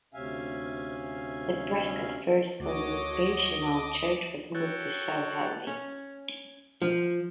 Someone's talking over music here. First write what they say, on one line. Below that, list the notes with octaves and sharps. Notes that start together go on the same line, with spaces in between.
The Prescott First Congregational Church was moved to South Hadley.
D2 C3 C#4 E5 F5 G#5
D2 F#4 A4 C#5 D#5 D6
F#4 A4 C#5 G5
C#4
F3